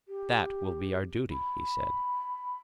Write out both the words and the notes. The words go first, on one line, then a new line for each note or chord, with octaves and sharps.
That will be our duty, he said.
G4
B5